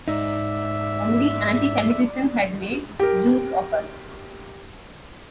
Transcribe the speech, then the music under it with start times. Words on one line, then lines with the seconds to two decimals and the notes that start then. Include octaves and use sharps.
Only anti-Semitism had made Jews of us.
0.08 G#2 D#4 D5 E5
3.00 G4 A#4